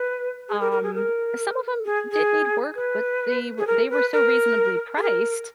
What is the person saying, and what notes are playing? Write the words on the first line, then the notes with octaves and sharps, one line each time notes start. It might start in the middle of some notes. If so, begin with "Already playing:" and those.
Um, some of 'em did need work, but they were they were so reasonably priced
Already playing: B4
G#4
A#4
A#4
G#4
A#4
G#4
G#4
B4
G#4
A#4
B4
A#4
G#4
A#4